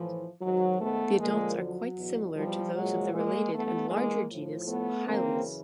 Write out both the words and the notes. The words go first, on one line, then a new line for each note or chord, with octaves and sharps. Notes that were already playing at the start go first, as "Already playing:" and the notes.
The adults are quite similar to those of the related and larger genus "Hyles".
Already playing: A2 E3 F3
G#2 D#3 F#3
A3 B3
F2 D3 F3 G#3 A#3
F#3
E2 B2
F3 G3
A#2 F3 F#3 G#3
G#3 A#3
G2 E3 A3 B3
G#3 A#3
A2 F3
A3 B3
F#2 C#3 E3 A#3 C4